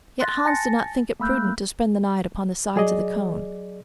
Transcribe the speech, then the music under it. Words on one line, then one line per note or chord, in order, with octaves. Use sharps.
Yet Hans did not think it prudent to spend the night upon the sides of the cone.
C6 F#6 A6 A#6
G#5 A5 A6 A#6 C#7
A3 A#3 B5 E6 F#6 G6
F#3 G#4 D5 D#5